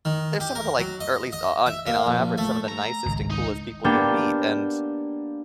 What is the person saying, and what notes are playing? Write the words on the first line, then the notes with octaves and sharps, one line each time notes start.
they're some of the, like or at least o on in on average, some of the nicest and coolest people you'll meet and,
D#3
G4
A#4
F#3
D#5
D#5
E5
A#3
A#1
A3
A#5
G#1 C#2
D#4
A#3 B3 D4 G4 G5